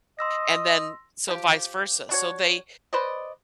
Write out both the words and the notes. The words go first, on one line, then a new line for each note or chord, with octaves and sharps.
and then, so vice versa, so they
D#5 C6 E6 A#6
F3 G4
D4 F#4 C#5
B4 C5 D5 D#5